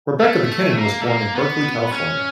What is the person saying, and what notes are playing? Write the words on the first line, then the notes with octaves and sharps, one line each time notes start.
Rebecca MacKinnon was born in Berkeley, California.
A3
A#3
A3
A#3
B3
C#4